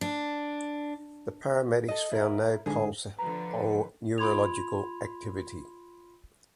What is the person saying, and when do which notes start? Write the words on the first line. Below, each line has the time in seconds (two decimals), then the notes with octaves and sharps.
The paramedics found no pulse or neurological activity.
0.01 D4
1.88 A4 D#5
2.12 E4 A#4
2.66 G#2 D3 G#4
3.19 D3 F3 B4 A#5
4.18 F4 B5 C6 G#6 F7